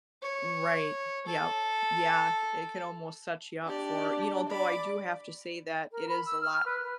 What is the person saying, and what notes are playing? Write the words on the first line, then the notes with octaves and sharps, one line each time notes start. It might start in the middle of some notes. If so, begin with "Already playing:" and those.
Right. Yep. Yeah, i it could almost set ya up for you know, though I do have to say that it is a lot
C#5
A4
D4 G4 D5
D5 B5 D6
A#4
B5
E6
F6
B4
B4